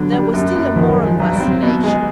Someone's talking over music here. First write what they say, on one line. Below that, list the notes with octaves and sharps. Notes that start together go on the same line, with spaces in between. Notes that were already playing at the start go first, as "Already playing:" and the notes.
There was still a moral vacillation.
Already playing: D3 F#3 B3
G3
F#2
F#2
D#3 F3
F#3
G#3
F3
B1 F#3
G3
C4
F#3
B2
G#3